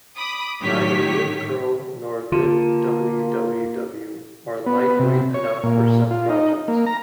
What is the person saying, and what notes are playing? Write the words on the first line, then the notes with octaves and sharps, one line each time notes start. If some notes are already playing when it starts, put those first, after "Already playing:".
Neither libcurl nor libwww are lightweight enough for some projects.
B5 D6 D#6
A2 D#3 F#3 G4 C#5 B6
D3 A#3 F4
B3
C3
C#5
A#2
F4
D#4
A#3
A#5